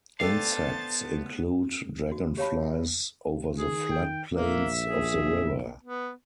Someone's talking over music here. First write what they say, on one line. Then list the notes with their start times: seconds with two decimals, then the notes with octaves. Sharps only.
Insects include dragonflies over the flood plains of the river.
0.20 B3 D4 G4 A4 C5 F5 A5 A6
2.12 F#4
2.37 G4 C#5 F5 A5 B5
2.63 E5
3.57 D#3 G#4
3.91 G5
4.34 A#1 A#3 E5
4.86 G#4
5.83 B3